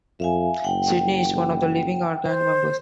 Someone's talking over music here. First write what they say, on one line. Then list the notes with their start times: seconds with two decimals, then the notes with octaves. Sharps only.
Sidney is one of the living "Our Gang" members.
0.20 F2 E5 F5 G#5
0.64 F#1 F#5 G5
2.25 C5